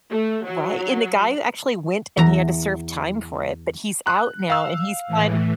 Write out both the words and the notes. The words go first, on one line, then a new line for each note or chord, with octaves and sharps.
Right. And the guy who actually went and he had to serve time for it, but he's out now and he's plani
A3
F#3
E2 A#5
F#6
F5 E6
A2 E3